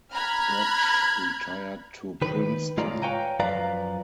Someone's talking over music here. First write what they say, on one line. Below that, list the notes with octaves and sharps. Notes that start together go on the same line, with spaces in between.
Dodge retired to Princeton.
A#5 B5 F6 F#6 G#6
D#3 B4
A2 G#3 F4 C#5 D5 A#5
B4 C#5 F5 G5 G#5 A#5
F#2 F3 B4 D5 F5 A#5